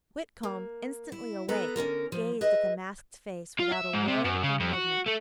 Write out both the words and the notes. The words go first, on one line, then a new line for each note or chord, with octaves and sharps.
Whitcomb, instantly awake, gazed at the masked face without a word or movement.
A#3
E4
B3 A4 B4 A#5
D3 C#4 F4 A#4
F3
G#4 B4 D#5 E5
F4
E5
G#2
C3
F#2
C#3
F2
F#4
A3